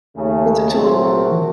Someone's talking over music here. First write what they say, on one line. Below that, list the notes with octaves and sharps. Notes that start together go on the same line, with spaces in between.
It's a tool, mm
D#2 C#3 A3
C2 A#2 F#3 A3 C4
F#4 A#4